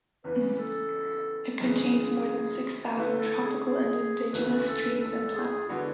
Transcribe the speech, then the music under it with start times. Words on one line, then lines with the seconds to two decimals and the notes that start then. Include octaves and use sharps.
It contains more than six thousand tropical and indigenous trees and plants.
0.24 E2 C#3 E3 B4
0.59 A4
1.60 F#2 C#3 E3 G#4
2.97 D3 A3 E4 B4
3.20 A4
3.42 G#4
3.64 G#4
4.32 D2 C#3 E3 A3 B4
4.49 B4
4.67 A4
4.84 B4
5.01 A4
5.35 G#4
5.69 D3 G#3 B3 D4 E4 F#4